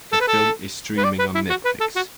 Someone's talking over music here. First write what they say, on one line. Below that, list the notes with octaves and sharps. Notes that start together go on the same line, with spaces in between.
The film is streaming on Netflix.
A4
B4
A4
B4
D5
B4
E4
F#4
B4
A4
F#4